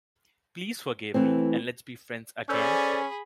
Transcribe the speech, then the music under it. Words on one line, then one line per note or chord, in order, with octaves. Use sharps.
Please forgive me, and let's be friends again.
E3 A3 C4
C#4 G#4 A4 C5 D5 B5